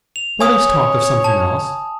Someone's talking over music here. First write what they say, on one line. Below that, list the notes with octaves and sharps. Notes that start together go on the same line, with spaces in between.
Let us talk of something else.'
F7
C#5 G#5 D#6
A5